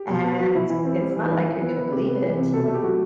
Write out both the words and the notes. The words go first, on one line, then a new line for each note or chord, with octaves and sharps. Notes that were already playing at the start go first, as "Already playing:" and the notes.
And it's not, like, you're gonna believe it.
Already playing: G4
B2
B3
F#3 F#4
B2 E4
E3 E4
C4
G3
E3
D#4
E3 E4
E3
B3
B3
C3 G4
B3
E3
C3
B2 A4
A3 E5
G4
F#3 F#4